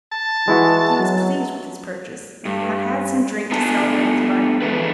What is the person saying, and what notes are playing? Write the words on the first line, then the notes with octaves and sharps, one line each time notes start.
He was pleased with his purchase, and had had some drink to celebrate his bargain.
A5
E3 G#3 E4 F#4
F#3
G2
A3 B3 D4 G#5 A5
E3 G#3 A3 D4 B4